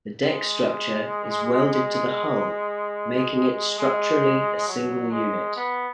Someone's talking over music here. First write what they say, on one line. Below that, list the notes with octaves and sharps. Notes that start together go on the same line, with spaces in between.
The deck structure is welded to the hull, making it structurally a single unit.
G#3
G#3
F#3
G#3
B3